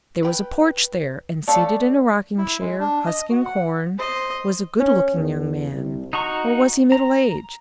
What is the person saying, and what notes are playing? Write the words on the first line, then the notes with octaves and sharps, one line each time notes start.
There was a porch there, and seated in a rocking-chair, husking corn, was a good-looking young man, or was he middle aged?
B4 G5
A3 C#4 D5 F5
E4
G#3
D4
D#5
F#4
F#5
C5 D#5
C#4
E2
C2
D#4 F#4 A#5 C#6
A#5